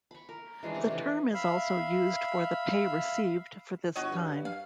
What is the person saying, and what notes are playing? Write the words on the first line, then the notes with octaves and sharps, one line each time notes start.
The term is also used for the pay received for this time.
B5 C#6
A#4
E3 G#3 C#4 D4
C3 A3 F#5
E3 C#4
E5 F5 B5
G1 F#4 C#5 D#5
G2
F5